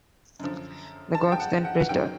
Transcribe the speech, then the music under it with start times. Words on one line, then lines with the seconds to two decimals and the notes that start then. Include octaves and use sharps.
The gods then praised her.
0.39 F#2 D3 F3
1.15 A5
1.32 G5
1.40 F#5
1.65 F#5
1.80 F#5
1.89 F#2 D#3 F#3 G5